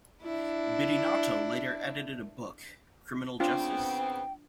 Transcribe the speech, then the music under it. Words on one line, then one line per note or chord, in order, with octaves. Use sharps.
Bidinotto later edited a book, Criminal Justice?
D4 E4
C#3 B3 C4 D4 F4 G5